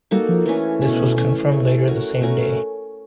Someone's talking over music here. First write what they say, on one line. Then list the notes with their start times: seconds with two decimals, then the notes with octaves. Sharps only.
This was confirmed later the same day.
0.11 G3 A#3 D#4 F#4 A4
0.29 F3
0.46 E3 A3 C#4
0.81 B2 E3 A3 C#4
1.16 E3 A3 C#4
1.52 E3 A3 C#4
1.87 A3 C#4 F#4 A#4
2.22 A#2 A3 C#4 F#4 A#4